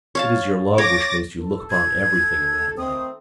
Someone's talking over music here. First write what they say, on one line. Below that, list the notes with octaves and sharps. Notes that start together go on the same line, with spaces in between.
"It is your love which makes you look upon everything in that light."
C#5 F5 A5
C#5 D6 A6 A#6
A4
G#6
D#3 A3 C4 D#6